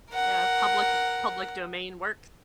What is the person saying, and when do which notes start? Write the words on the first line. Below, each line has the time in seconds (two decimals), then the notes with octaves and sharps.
Yeah, public with public domain works.
0.13 A#4 F#5